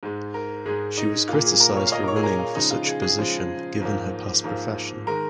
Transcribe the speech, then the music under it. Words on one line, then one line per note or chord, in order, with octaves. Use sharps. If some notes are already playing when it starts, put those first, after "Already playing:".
She was criticized for running for such a position, given her past profession.
G#2 G#3
A#4
G#2 G#3 G#4
D#4
A#2 A#3 F4
G#4
A#4
C#5
F5
A#2 A#3 D#5
A#4
C#5
G#4
A#4
F4
C#3 F3 G#3 D#4
F4
G#4
G#4
C#3 F3 G#3
G#2 F3 A#3
G#2 F3 A#3
D#3 G#3 A#4